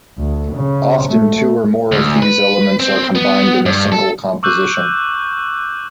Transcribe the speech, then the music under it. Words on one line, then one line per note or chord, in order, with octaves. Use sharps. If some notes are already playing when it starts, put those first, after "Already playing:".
Often two or more of these elements are combined in a single composition.
D2
C#3
A3
D2
B4
C4
B3
G2
A4
C#6 D6 E6 F#6 G6